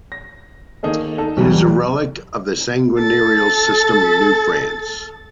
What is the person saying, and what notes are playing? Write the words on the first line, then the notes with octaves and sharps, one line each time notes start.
It is a relic of the seigneurial system of New France.
A#6
D#3 A#3 D#4 G#4 A4 D#5
D#4 A4
B1 E2 E3 F#3 G3
A4 A6